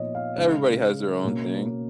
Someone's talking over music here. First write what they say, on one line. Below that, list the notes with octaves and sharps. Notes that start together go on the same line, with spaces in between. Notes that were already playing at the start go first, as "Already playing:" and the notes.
everybody has their own thing.
Already playing: A#2 F3 B3 D#4 C#5 D#5
F5
C#3 G#3 D#4
B2 A#3 C#4